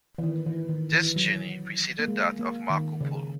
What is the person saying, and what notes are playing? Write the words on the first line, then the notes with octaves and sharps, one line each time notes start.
This journey preceded that of Marco Polo.
E3
D#3
E3
D#3
E3
F#3
A#3
G#3
A#3
D#3
C#3